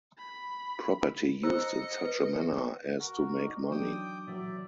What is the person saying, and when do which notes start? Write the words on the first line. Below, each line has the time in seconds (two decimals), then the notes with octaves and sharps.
Property used in such a manner as to make money.
0.18 B5
1.43 C5 D#5 A#5 E6 C#7
2.04 B4
3.00 F#4 A#4 F#5
3.40 D#4 D5
3.71 E3 F#3 D4 G5 D6 D#6
4.27 A#2 E3 F#3 D5 E5